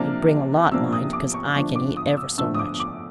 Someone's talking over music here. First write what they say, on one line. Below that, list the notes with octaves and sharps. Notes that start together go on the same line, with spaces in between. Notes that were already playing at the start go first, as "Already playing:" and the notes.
You bring a lot, mind, 'cause I can eat ever so much.
Already playing: C3 F3 A#3 D4 F6
C3 F3 A#3 D4 E6
D#6
D6
C#6
D3 F3 A3 D4 C#6
D6
D#6
E6
D3 F3 A3 D4 E6
D#6
D6
D6